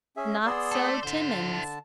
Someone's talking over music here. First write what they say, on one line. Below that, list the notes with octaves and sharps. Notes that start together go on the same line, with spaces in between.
Not so Timmans.
C#4 G#4 E5
B3 G#4 D5 C6 E6
A3 A4
D3 E4 C5
A5
A5